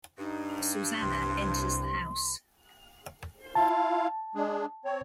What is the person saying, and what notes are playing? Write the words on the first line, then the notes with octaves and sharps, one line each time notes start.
Susanna enters the house.
G2 D#4
C2 C6
E4 F4 F5 A5
G#3 D4 G#4
C4 C#5